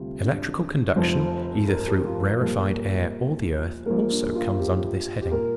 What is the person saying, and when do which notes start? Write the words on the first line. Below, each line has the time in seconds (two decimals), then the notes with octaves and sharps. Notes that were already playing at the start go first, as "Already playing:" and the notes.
Electrical conduction, either through rarefied air or the earth, also comes under this heading.
Already playing: D2 C3 G3 F4
0.23 D4
0.96 F1 F2 F3 C5
1.68 A#4
1.87 G4
2.05 F4
2.40 A#1 A#2 G3 A#4
3.86 A#1 A#2 G3 A#3 A#4
4.11 D4
4.35 F4
4.59 G4
5.22 G4
5.31 A#2 A#3 A#4